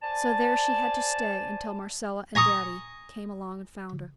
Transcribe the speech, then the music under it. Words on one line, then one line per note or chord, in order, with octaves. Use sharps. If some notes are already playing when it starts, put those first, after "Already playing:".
So there she had to stay until Marcella and Daddy came along and found her.
C5 D5 G#5 A5
G#5 A#5 C#6 D#6